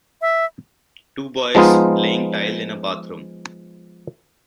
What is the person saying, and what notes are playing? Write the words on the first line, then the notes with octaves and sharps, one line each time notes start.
Two boys laying tile in a bathroom.
E5
F3 G#3 B3 D#4 F4